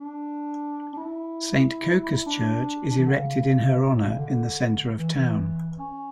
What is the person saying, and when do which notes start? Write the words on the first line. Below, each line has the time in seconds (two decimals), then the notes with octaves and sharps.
Saint Coca's Church is erected in her honour in the centre of town.
0.01 D4
0.93 D4
0.97 E4
2.16 E4
2.26 D4
2.90 D4
2.98 E3
3.06 D3
3.14 C#3
3.86 B2
3.95 A2
4.03 B2
4.10 C#3
4.18 D3
4.99 E3
5.15 E3
5.79 C#4